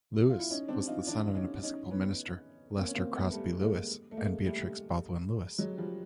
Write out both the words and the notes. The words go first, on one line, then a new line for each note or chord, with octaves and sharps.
Lewis was son of Episcopal minister Leicester Crosby Lewis and Beatrix Baldwin Lewis.
F4
E4
C#4 D#4
C4 D4
D#4 F4
D4 E4
C#4 D#4
C#4 D#4
B3 C#4
A#3 C4
C#4
A#3 C4
A3 B3
G3 A3
G#3 A#3
A3
G#3 A#3
G3 A3
F#3 G#3
F3 G3